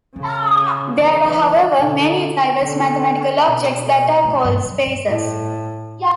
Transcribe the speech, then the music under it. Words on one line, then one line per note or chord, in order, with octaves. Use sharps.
There are however, many diverse mathematical objects that are called spaces.
C#3 C#4
B3
G3
G3
B2 D3
B2 D3
B2
A2
G2
F#2
G2
A2